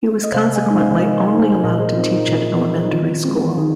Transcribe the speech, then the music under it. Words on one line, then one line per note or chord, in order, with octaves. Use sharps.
He was consequently only allowed to teach at elementary school.
D#5
C3 C5 F5
D#5 G#5
G#3 D#4
C5 F5
C3 A#4 D#5
D#5 G#5
G#3 D#4
C5 F5
A#2 A#4 D#5
G#4 C5
F3 C4 D#4 F4
D#4
A#2
F3 C4 D#4
D#4
D#3 F4
G#3 C4
D#3 D#4 G#4